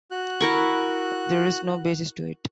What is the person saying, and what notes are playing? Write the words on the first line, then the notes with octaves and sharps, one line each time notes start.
There is no basis to it.
F#4 F#6
E4 A#4 C#6